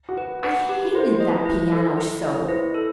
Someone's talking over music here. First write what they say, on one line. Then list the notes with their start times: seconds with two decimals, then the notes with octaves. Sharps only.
I hated that piano so!
0.09 F#4
0.18 B4
0.43 B4 F#5
0.69 G4
0.95 E4 C5
1.12 C5
1.20 D#5
1.30 B4
1.45 E4
1.72 A4
1.98 E4
2.24 D#5
2.44 C5
2.49 E4 B4
2.74 A4